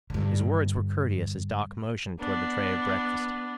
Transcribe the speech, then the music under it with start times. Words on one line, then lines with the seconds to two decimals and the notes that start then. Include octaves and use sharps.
His words were courteous as Doc motioned toward the tray of breakfast.
0.10 G2 D3
2.20 B3 D4